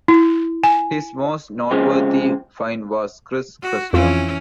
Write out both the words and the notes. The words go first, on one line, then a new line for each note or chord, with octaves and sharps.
His most noteworthy find was Chris Crutcher.
E4
G#5
C#3 F3 G#3 C4
F#4
F2 E3 C#4 E4 F4